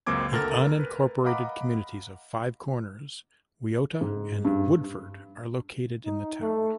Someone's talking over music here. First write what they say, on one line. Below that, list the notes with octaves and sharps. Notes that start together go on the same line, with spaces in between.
The unincorporated communities of Five Corners, Wiota, and Woodford are located in the town.
C#2 F#2 A#3 C4 D6 G#6
D2 A4 A#4 A#5 F6 A6
B4
D#5 F5 F#5 A#5 B5 D6
G#2
G2
D#4
A3